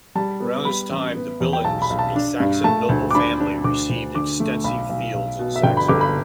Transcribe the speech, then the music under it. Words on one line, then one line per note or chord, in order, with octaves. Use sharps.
Around this time, the Billungs, a Saxon noble family, received extensive fields in Saxony.
G3 A5
B3
G3 B5
A1
B3
E2
G5
B1 A5
B5
B1
A5
D4
G2
A3 A5
D2
D6
D4 B5
D4
D2 D6
D2
D3 D6
A3
B1 B5
B1
B1
B2
E5
G1 G5
B5
G1 D6
B5